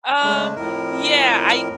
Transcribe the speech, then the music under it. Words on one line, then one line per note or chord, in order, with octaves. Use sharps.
Um, yeah, I
C#3 G#3 A3 D4
F2 A2 A#4